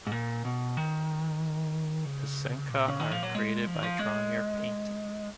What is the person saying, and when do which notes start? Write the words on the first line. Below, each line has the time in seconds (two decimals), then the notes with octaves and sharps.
Pacenka are created by drawing or painting.
0.07 G#2
0.12 A#2
0.45 B2
0.77 D#3
2.05 C#3
2.70 A#2
2.88 C#3
3.00 D#3
3.11 F3
3.23 F#3
3.35 G#3
3.67 F3
3.75 D#3
3.83 F3
3.99 G#3